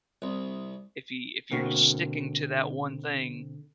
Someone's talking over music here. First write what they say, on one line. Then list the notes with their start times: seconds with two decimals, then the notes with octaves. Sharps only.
if you if you're sticking to that one thing,
0.22 C2
1.52 B2 D3 A#3 C4 F#4